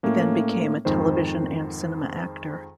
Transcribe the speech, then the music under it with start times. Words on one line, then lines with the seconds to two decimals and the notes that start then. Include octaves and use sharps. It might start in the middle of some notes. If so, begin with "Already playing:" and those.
He then became a television and cinema actor.
0.03 A2 A3 A#3 C#4
0.85 F2 G#2 D#3 C5